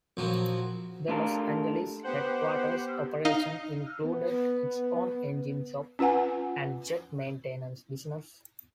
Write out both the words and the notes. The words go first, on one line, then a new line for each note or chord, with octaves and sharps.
The Los Angeles headquarters operation included its own engine shop and jet maintenance business.
A#1 F3 F#3
A3 D4 F4 G4 A4 A#4
B3 G4 C5 F#5
D#4 D#5 F5
B3
C#4 F4 B4 F#5 G#5